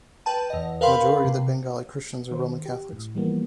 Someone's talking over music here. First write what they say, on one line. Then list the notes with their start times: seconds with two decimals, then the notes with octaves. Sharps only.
The majority of Bengali Christians are Roman Catholics.
0.26 B4 G5 A5 D#7
0.50 E2 D#5
0.81 A#4 B4 F5 G5 B5 C6
1.24 C3
2.31 D#3 C5
2.66 G4
2.93 A2
3.15 E3 F3 G3 A#3 B3